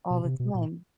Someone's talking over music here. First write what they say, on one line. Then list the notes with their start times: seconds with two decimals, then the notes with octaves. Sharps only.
All the time.
0.10 B2
0.25 C3
0.40 B2
0.55 A#2